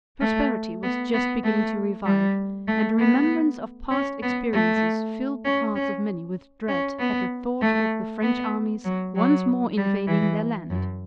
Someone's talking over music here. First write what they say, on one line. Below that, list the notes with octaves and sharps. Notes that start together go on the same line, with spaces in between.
Prosperity was just beginning to revive, and a remembrance of past experiences filled the hearts of many with dread at the thought of the French armies once more invading their land.
A3
B3
B3
A3
G3
A3
B3
C#4
B3
A3
C#4
C#4
C#4
B3
A3
B3
F#3
F#3
G3
E3
F#2